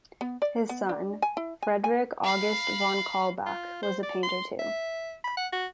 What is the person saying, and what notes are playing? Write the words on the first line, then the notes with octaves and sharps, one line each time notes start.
His son Friedrich August von Kaulbach was a painter too.
B3
D5
B3
D4
G#5
E4
G#5
G#5
F5 B5
F4
C5
D5
C6
E5
B5
F#5
F#4